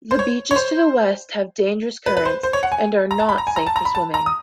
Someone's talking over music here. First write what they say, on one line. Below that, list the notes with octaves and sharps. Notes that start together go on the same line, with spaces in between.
The beaches to the west have dangerous currents and are not safe for swimming.
C5
C#5
C#5
C5
B4
B4
C5
C5
C#5
F#5
G#5
A#5
A5
B5
A#5
G#5
A#5
A5
A#5
B5
A5
A#5
D#6